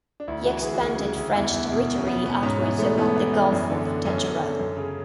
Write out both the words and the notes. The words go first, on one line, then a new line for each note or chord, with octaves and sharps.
He expanded French territory outwards around the Gulf of Tadjoura.
D4
D2 E4
E3 F#4
D2 G#4
F#4
D2 G#4
C#3
D2
E2 E4
E2
B2
B2
C#4
B2 B3
B2 B3
G#2 C#4
E3 B3
G#2 A3
E3 B3
E3
E3
F#2
D3
D3
F#2 C#4
F#2
D3
F#2
C#3